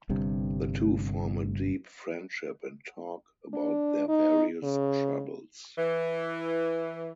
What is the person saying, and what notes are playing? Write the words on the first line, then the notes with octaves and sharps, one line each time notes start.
The two form a deep friendship and talk about their various troubles.
G1 G2 C3
D4
D#4
C#3
E3